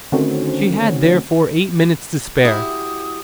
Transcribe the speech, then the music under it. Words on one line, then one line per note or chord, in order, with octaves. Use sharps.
She had, therefore, eight minutes to spare.
D3 D#3 A3 C4 C#4 F#4
E4 F#4 G4 D#6